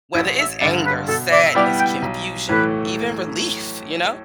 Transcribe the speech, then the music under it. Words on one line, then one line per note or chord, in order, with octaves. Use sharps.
Whether it's anger, sadness, confusion, even relief, you know?
A1 E4
E5
G2 D3 D5
B4
B2 A4
D5
E5
G3 B3 E4 G4 D5
G5
B1
A2 E3 A3 B4